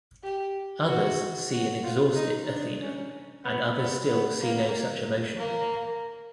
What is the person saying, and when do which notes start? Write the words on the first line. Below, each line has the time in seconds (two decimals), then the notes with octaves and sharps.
Others see an 'exhausted Athena', and others still see no such emotion.
0.23 G4
0.87 F#4
1.51 F#4
1.84 F4
2.15 D#4
2.48 D4
2.80 C#4
3.44 B3
3.76 B3
4.08 B3
4.40 A#3
5.36 A#3